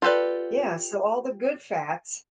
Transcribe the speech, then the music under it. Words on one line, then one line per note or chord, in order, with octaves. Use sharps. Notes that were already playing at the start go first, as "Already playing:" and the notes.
Yeah. So, all the good fats
F4 G4 A4 B4 D5